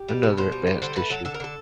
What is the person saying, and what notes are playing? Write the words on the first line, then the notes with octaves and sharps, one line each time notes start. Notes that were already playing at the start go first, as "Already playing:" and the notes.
another advanced issue,
Already playing: G4
G3
B2
B2 C5
G3
G3
D3 C5
A3 B4
F#3 A4
D3 A4
A#4
D3 A4